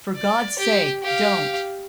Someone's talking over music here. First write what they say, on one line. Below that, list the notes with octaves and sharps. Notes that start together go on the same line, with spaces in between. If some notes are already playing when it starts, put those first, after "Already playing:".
For God's sake, don't!
D5
G4
G4 F5